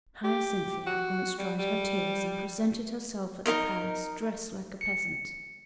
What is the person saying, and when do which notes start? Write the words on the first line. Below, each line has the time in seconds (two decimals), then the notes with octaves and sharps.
Hyacinthia at once dried her tears, and presented herself at the palace, dressed like a peasant.
0.24 G4
0.87 F#4
1.38 G3
1.59 G3
3.46 D#4 E4 A#4 D#5
4.81 C#7